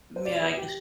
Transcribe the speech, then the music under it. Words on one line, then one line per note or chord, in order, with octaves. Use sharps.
Yeah, I guess.
C5
D5
B4
G4